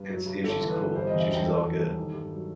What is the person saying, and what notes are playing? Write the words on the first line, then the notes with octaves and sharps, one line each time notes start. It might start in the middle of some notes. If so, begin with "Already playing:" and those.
and see if she's cool. She she's all good.
Already playing: G2 B4
F#3
G2
G1 A4
E3
B4
G1
G3 C5
E2 D#5
E5
E1 G5
E3 A4
E3
G3
D#3
G2
F#3